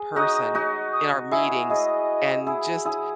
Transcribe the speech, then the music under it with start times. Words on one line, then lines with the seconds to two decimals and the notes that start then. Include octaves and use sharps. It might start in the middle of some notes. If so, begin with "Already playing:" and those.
person in our meetings and just
Already playing: G#4
0.16 D#4 F#4 D#6
0.55 D#4 F#4
0.93 D#6
1.31 E4 G#4 E5
1.69 E4 G#4 D#5
2.47 E4 G#4
2.85 E4 G#4